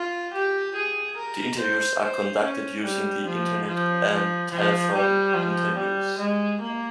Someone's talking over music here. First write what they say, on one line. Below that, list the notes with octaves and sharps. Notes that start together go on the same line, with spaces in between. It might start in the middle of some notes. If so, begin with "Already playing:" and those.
The interviews are conducted using the internet and telephone interviews.
Already playing: F4
G4
G#4
A#4
C5
C5
C#4
G3
F3
F3
F3
F3
G3
F3
G3
G#3
A#3